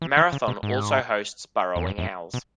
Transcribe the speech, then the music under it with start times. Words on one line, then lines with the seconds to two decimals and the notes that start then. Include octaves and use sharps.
Marathon also hosts burrowing owls.
0.02 E3
0.17 D#3
0.33 C#3
0.48 B2
0.63 G#2
1.76 E2
1.87 F#2
1.98 E2
2.02 F#2
2.34 B2